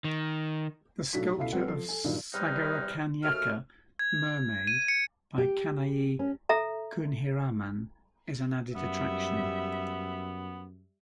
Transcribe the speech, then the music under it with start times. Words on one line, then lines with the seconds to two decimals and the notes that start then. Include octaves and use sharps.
The sculpture of Sagarakanyaka - Mermaid by Kanayi Kunhiraman is an added attraction.
0.04 D#3
1.13 B1 A2 F#3 D4 F#4 B6
1.38 C#2 B2 E4 A4 F5 C7
1.52 F#3 G3 C4 A4 B4 F#5
1.67 F3 A4 C7
1.88 A4 G#5
2.04 G2 A#2 D#3 F#3 D#4
2.33 E2 C3 G3 D#4 F#5 F6
3.23 D#2 A3 F#4 F6
3.99 G#6
4.67 D#7
4.88 C#7
5.38 G4
6.19 C#4
6.49 A4 E5 A#5
8.76 F#2 G3 B3 E5